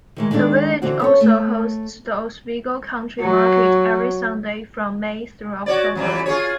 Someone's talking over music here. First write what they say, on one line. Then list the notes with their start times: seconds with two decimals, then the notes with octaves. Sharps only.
The village also hosts the Oswego Country Market every Sunday from May through October.
0.16 D#3 E3 G#3
0.31 D#3 G#3 D4 A4 D5
0.82 D3 E3 C4 F#4
1.00 C#4 A4 C#5
1.21 A3
3.20 F#3
5.66 F#4 C#5 D5
5.95 F2 E3 G3
6.26 F4 G#4 C#5